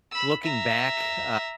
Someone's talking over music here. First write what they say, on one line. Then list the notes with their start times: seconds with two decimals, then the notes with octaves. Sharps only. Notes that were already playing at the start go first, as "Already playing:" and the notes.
looking back, uh,
0.11 B5 E6
0.43 E5 A#5